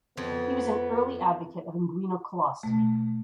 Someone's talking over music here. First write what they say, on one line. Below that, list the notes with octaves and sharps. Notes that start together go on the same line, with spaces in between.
He was an early advocate of inguinal colostomy.
F2 B3
B2 A3